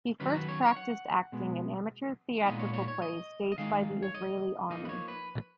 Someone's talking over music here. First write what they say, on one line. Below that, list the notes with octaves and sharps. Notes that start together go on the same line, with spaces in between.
He first practiced acting in amateur theatrical plays staged by the Israeli Army.
D#3 F#3 C#4 B4
B4
C#5
C#5
F#5
B2 G#3 B3
A#2 F3 G#3 B3 D#4 D#5
C#5
C#5
C#5
D#5
D#5
D#3 G#3 D#4 F5
C#5
D#5
F3 A#3 D#4 D#5
B4
C#5
B4